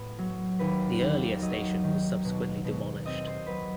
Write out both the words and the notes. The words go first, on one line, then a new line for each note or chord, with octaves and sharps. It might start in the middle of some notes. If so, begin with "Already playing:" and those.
The earlier station was subsequently demolished.
Already playing: A2 B3
F#3
D#2 B4
D#2
F#3 D#5
D#3
B2
B2
C4 D#5
C5
F#3 B4